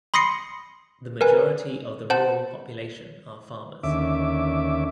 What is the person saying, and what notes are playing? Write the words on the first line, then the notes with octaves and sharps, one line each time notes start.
The majority of the rural population are farmers.
B5 C6 D#6 A#6 C7 C#7
A#4 B4 G#5
C5 F#5 A5
D#2 D3 C#4 E5 D6